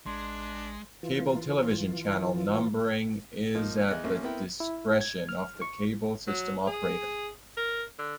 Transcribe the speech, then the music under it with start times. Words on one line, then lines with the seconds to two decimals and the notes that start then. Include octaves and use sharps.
Cable television channel numbering is at the discretion of the cable system operator.
0.06 A1 G#3 D4 C6
1.03 E3 F4
3.55 F3 A#3 D#4
3.91 E2 D#5 F#6
4.04 A1 A#3 C#4
4.23 B3 C4 E4 A#4 G5
4.60 E4
5.01 G#6
5.29 F6
5.62 C#6
6.28 F#3
6.67 G#4
7.57 A#4
7.99 D3